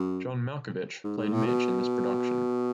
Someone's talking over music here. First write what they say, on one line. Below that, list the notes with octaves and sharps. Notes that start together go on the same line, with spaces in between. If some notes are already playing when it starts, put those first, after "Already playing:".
John Malkovich played Mitch in this production.
Already playing: F#2
G#2
G#2
A2
B2